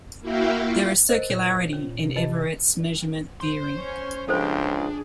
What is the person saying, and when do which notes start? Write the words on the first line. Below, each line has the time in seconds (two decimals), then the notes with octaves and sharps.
There is circularity in Everett's measurement theory.
0.21 A#3 E4 F#4 E5 F5 G5
0.63 F4
1.09 A#4 C5 D#5
1.30 A#2 C#5
1.73 C#4
2.04 C3
2.16 F4 D#5 A5
3.40 C5 C6
3.76 C#4 C#5
4.29 C#2 F3 D4 G4 A4 C5 G5
4.70 G#4